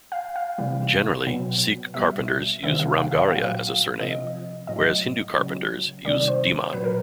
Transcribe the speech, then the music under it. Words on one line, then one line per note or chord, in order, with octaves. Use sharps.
Generally, Sikh carpenters use "Ramgarhia" as a surname whereas Hindu carpenters use "Dhiman".
F5
F5
C3 E3 G3
B2 F#3
B2 G3 E5
C3 D#3 G3 E5
F5
F5
F5
A#2 F#3 F5
C3 F3 D#5
A2 F#3 D#5
C#3 F#3
C3 D#3 G3 D5
C5
A#2 F#3 B4
A#4